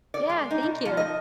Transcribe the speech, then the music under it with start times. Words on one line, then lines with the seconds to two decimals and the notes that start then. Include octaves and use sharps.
Yeah, thank you.
0.14 D5
0.29 G#3
0.51 D#4
0.63 B2
0.85 F3
0.97 D#5